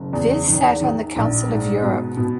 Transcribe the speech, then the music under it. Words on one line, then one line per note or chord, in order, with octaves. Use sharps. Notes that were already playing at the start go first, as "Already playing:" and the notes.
Vis sat on the Council of Europe.
Already playing: F#1
E2
D#3
D#3
A#1
G#2
B2
B2